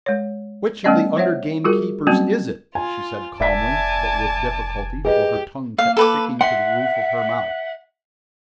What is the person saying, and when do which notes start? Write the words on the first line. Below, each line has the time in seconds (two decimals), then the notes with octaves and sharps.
"Which of the under-gamekeepers is it?" she said calmly but with difficulty, for her tongue kept sticking to the roof of her mouth.
0.06 G#3 C#5
0.84 G3 A3 B3 C#4 D5 D#5
1.17 C5 C#5 E5 F#5
1.65 G3 F4 F#4 G#4 A#4
2.07 F#3 G3 A#3 C4 C#4 F#4
2.75 F4 G#5
3.40 F1 D5 E5 G#5 A5 D6 B6
5.05 G4 G#4 B4 D#5
5.78 A#3 F5
5.97 A4 B4 D6
6.41 E5 F#5 C6